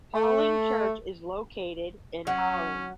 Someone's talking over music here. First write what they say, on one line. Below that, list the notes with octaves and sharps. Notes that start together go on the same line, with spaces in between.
Halling Church is located in Halling.
A3
F#3 C#4 F#5